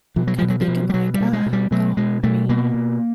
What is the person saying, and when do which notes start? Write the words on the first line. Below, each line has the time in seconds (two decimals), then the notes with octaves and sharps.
kinda thinking like, "Uh, well," I mean,
0.16 B2 F3
0.27 F#3
0.38 B2 F3
0.50 F#3
0.61 F3
0.68 B2
0.90 G3
0.94 B2 F#3
1.14 G3
1.21 B2
1.33 G#3
1.46 B2
1.53 G3
1.71 B2 F#3
1.97 B2 G#3
2.23 B2 A3
2.49 B2 A#3
2.74 B2